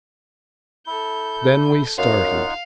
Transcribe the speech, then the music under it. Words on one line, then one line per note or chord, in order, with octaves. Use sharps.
Then we started.
E4 A4 G6
F#2 D#4 F4 F5 F#5